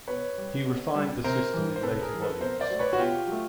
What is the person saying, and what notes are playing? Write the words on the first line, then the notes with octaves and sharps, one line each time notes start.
He refined the system in later volumes.
B2 B4 C#5
G3
B2
G3
C3 A#4 C5
E3 G3
C5
C3 A4 B4
G#4 A#4
E3 G3
A4 B4
B2 A#4 C5
C5 D5
F#3 A3
B4 C#5
F#4
B2 F4 G4
F#3 A3